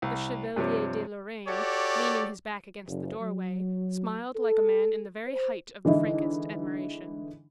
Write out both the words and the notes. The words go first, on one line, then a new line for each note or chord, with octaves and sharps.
The Chevalier de Lorraine, leaning his back against the doorway, smiled like a man in the very height of the frankest admiration.
C2
G2 C3 F3 C#5
F#4 G4 A4 C#5 D5
F#1
F#3
A4
C5
D3 E3 G#3 D#4 E4